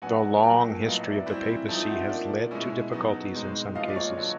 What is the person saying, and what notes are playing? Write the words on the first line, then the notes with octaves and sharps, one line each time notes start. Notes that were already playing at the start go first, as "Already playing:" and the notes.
The long history of the Papacy has led to difficulties in some cases.
F#3 B3 D4 F#5 G#5
A#2 F#3 A#3 G5 A5
A2 F#3 B3 D#5 F5
D5 E5
E3 G3 C4 E4
F3 A3 C4 D#4
E5 F#5
F3 A#3 D4
B2 G#3 C#4 E4
F#3 B3 D#4
B2 G#3 C4 D#4
A#2 F3 G#3 B3 D#5 F5
D5
C#5 D#5
D3 F#3 B3